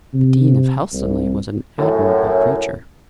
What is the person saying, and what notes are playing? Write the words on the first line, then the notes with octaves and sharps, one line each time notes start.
The dean of Helstonleigh was an admirable preacher.
C3
C2
F#2 A2